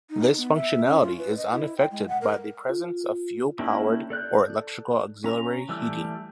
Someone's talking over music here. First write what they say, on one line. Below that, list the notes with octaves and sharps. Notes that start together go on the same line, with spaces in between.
This functionality is unaffected by the presence of fuel-powered or electrical auxiliary heating.
D#4
B3
E5
C#4
F4
B4
D#5
E4
G5
G#3
F#5
A#4
F4
A#3 C#4 D4 E4 G4
A4 D5 F#6 G6
C#4 A#5
E3 G3 A3 E6